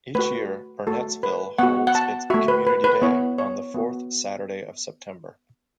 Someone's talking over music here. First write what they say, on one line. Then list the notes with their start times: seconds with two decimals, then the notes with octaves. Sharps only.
Each year Burnettsville holds its Community Day on the fourth Saturday of September.
0.15 A3 F#4 B4
0.87 A3 F#4 A4
1.23 B4
1.58 B3 F#4 F#5
1.87 F#5
1.95 A5
2.30 A3 F#4 E5
2.48 B4
2.67 B4
2.84 B4
3.02 B3 E4 C#5
3.38 C#5
3.74 B3 F#4